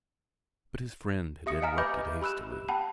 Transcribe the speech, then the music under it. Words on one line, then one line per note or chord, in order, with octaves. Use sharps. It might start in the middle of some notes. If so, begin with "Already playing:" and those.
But his friend had interrupted hastily.
G4 E5 D#6 C#7
D#5 F5 G#5 A#5 F6
B4 D#5 E5 B5 D6 G6
G4 B5 E6 F#6 E7
F#5 G5 A5 B5